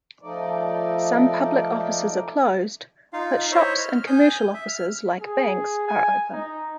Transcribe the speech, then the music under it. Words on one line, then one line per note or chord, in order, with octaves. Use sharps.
Some public offices are closed, but shops and commercial offices like banks are open.
F3 A3 D#4 D5
D#4 F4 F5
E4 C5 C#5 D#5 E5
F6
G#5 D#6 G6
E5
F6
G#4
G#5
D#4